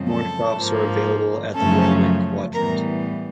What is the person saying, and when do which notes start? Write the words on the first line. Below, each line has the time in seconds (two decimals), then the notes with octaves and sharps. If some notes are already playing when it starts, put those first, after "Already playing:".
More shops are available at the Warwick Quadrant.
Already playing: F#2 C#3 F3 G#3 C4
0.08 A4 A5
0.57 G#2 F3 A#3
1.55 F#2 C#3 F3 A3 C#4 A4 A5
2.53 A2 E3 G3 B3 A#4 A#5